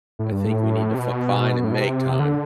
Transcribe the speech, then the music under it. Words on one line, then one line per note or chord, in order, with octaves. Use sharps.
I think we need to fi find and make time.
A2
G2
A2
C3
B2
A2
B2
C3
D3